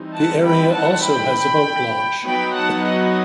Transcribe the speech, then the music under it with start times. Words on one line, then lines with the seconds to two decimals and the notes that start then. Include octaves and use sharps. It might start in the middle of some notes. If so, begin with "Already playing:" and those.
The area also has a boat launch.
Already playing: E3 G3 C4 D#4
0.16 F#5 A5
0.45 G5 B5
0.75 F#5 A5
1.06 G5 B5
2.26 F#3 B3 D#4 G5 B5
2.56 F#5 A5
2.86 D#5 F#5